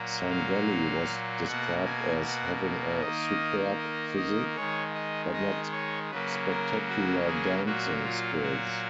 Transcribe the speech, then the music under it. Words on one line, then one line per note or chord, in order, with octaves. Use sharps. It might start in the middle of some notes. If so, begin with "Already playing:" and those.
Sangalli was described as having a "superb physique", but not spectacular dancing skills.
Already playing: A#2 F#3 A#3
F5
B2 A#3 F#5
G#5
F#5
D#3 A#3 D#5
D#5
D#5
D#3 G#3 C#5
D#5
D#5
C#5
C#3 F#3 A#3 B4
A#4
F#4
G#4
A#2 F#3 A#3 F#4
F4
F#4